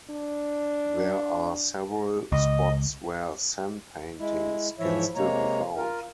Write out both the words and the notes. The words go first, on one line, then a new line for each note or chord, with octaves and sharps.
There are several spots where San paintings can still be found.
D4
C#2 D#5
G#3 E4
G#2 E3 F3 E4 C#5 E5
C3 G#3 A#3 C#5 A#5
F4 A#4